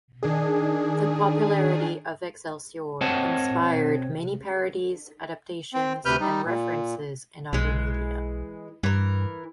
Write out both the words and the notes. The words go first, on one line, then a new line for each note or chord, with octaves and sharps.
The popularity of "Excelsior" inspired many parodies, adaptations, and references in other media.
D#3 D4 G#4
C4 C5 C#5 D#5 F#5 A5
C4
D2 C3 B4 F6 G6
G3 D#4
A#2
B1 E3 G#3
G2 E3 A#4